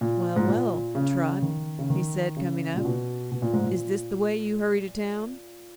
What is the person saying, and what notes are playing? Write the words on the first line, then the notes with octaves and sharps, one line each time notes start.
"Well, well, Trot," he said, coming up, "is this the way you hurry to town?"
A#2
G#2
A#2
C#3
D#3
C#3
D#3
C#3
A#2
B2
B2
A#2
G#2
A#2